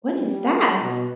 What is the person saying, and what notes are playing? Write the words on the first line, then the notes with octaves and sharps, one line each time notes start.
What is that?
G3
B2